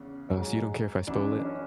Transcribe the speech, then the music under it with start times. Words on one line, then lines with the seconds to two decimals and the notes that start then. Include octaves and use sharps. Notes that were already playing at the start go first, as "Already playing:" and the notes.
Uh, so you don't care if I spoil it?
Already playing: E2 C#3
0.33 G#2 F#3
1.07 F#2 E3 D4
1.39 D4
1.45 C#4